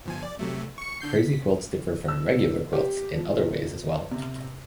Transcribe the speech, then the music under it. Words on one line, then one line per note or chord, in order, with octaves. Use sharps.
Crazy quilts differ from "regular" quilts in other ways as well.
G1 F3 G#5
D5
C3 F#3 A3
C#6 C#7
D3 G6 C7
B6
E6
G4
F3
C3